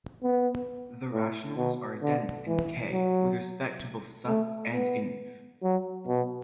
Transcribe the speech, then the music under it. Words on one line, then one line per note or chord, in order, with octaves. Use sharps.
The rationals are dense in "K" with respect to both sup and inf.
B3
A2
B2
D3
E3
F#3
A3
B3
F#3
B2